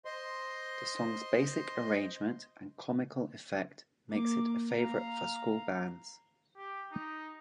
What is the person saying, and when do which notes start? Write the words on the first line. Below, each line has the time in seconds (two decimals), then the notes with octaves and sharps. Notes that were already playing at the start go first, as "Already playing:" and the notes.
The song's basic arrangement and comical effect makes it a favourite for school bands.
0.05 C5 D#5 C6
4.10 A#3 D6
4.70 F5 A#5
6.57 G4
6.92 D#4